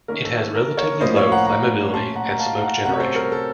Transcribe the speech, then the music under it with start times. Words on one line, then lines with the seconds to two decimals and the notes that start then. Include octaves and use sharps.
It has relatively low flammability and smoke generation.
0.08 D#3 A#3 C#4 A#4
0.25 A4
0.40 A4
0.55 A#4
0.77 A#4 C#5
1.01 A2 F3 A#3 C#4 C5 D#5
1.16 C#5 F5
1.32 F#5 A#5
1.46 F#5 A#5
1.93 A#2 A3 C#4 A5 C6
2.16 F#5 A#5
2.31 A#5
2.40 F5 A5
2.62 F#5 A#5
2.85 C3 F#3 A3 C#4 F#5 A#5
2.93 C#5
3.00 A4 C5
3.16 A#4
3.32 A4